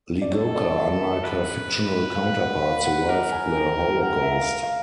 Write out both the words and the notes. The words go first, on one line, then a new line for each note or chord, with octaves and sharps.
Ligocka, unlike her fictional counterpart, survived the Holocaust.
D5
A4 C#5
D#5
D5
D#5
E5
B4
F5
F#5
F5
F#5
A#4 F#5
G#5
G5
G5
F#5
E5
F5
F5